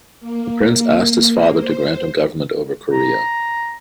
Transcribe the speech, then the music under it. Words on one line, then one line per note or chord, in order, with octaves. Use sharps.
The prince asked his father to grant him government over Korea.
A#3
C5
A#5